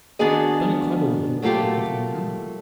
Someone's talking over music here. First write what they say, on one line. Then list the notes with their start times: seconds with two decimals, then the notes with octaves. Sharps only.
"Done it cleverly," he remarked, looking round.
0.19 D#3 B3 D4 F#4 G#4 D#5
1.42 F#3 A3 A#3 F4 G4